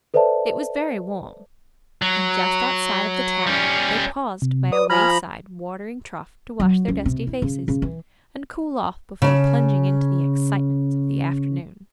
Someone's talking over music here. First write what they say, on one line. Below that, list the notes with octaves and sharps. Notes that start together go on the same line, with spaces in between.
It was very warm; and just outside of the town they paused by a wayside watering-trough to wash their dusty faces, and cool off before plunging into the excitements of the afternoon.
A4 B4 C5 D5 E5 A5
F#3
G3 C#4
C3
B4 D5 D#6
F3 G#5 A#5 B5 F6
F#3
C#2
C3
E4
C#3
C#3
E3
C#3 A5